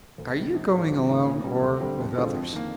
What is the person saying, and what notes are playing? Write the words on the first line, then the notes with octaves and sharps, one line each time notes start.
"Are you going alone or with others?"
D2
C3 D#3 G3
A#1
G#2 F3
G#1
G#2 D#3 A#3
A#2
G3 A#3
D2
D3 G3 C4 G4
F2
D3 G#3 C4 F4
F2
D#3 A#3